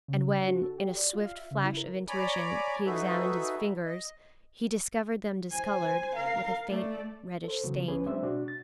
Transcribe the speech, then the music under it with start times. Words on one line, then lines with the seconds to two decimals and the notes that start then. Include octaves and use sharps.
And when, in a swift flash of intuition, he examined his fingers, he discovered them discoloured with a faint reddish stain.
0.08 C#3
0.36 D4
0.48 F#4
0.63 A4
0.78 G4
0.96 D5
1.13 F4
1.25 F5
1.37 E5
1.51 C#3
1.64 E4
1.77 A#4
2.09 C#5 D5 G#5 A#5 B5 D6
2.86 D#4 F#4 G#4 A4 B4 E5
3.86 D#5
5.50 C5 G#5
6.15 A#4 F5
6.69 A3 D5
7.44 A4 C5
7.64 C#3 E3 F#3 B3
7.88 C2 C#4 G#4 B4
8.06 F#3 G#3 C4 D4 C5 E5
8.23 B2 D4 F#4
8.48 A6